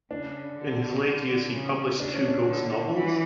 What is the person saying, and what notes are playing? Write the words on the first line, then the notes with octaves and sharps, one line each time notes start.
In his late years, he published two ghost novels.
C#3 D4
D3
D3
C#3
C#3 D4
C#4
D4
D3
E3